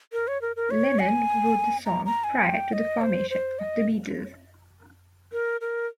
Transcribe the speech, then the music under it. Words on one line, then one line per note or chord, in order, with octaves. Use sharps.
Lennon wrote the song prior to the formation of the Beatles.
A#4
C#5
A#4
A#4
C#5
G#5
A#5
A#5
G#5
G5
D#5
C5
C5
D#5
A#4
A#4